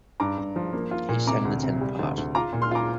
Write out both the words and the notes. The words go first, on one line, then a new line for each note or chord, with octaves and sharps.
He sang the tenor part.
G2 A#5 D6
G2
F3
A#3
F4
A#2
C3 A#5 D6
D2
C3
G3
D2
D2
F4 A#5 D6
A#2
C6 F6
F4 A#5 D6